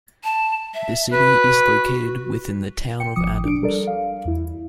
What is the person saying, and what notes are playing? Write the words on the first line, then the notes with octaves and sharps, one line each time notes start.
The city is located within the Town of Adams.
A5
E5
F#4 B4
G5 C#7
G#1 F3 D6 D#6 C#7
D4 D7
G3 A4 A#4 D5
F5
E2 E4